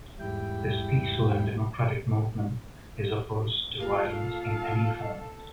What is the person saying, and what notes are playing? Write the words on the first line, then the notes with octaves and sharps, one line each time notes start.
This peaceful and democratic movement is opposed to violence in any form.
E2 G#2 G3 E4 G5
A#3 F4 A4 F5